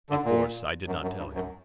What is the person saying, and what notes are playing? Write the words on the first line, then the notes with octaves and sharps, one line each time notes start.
Of course I did not tell him.
D3
A#2
F#2
F#2
G2
F#2